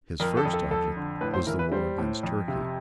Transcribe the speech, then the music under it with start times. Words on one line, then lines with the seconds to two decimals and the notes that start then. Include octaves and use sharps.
His first object was the war against Turkey.
0.20 F2 A#4
0.37 A4
0.45 F2
0.54 A4
0.71 F2 A4
0.96 D3
1.21 A2 B4
1.34 C5
1.47 E3 A#4
1.59 B4
1.72 G3 C5
1.98 A2
2.23 F2
2.48 C3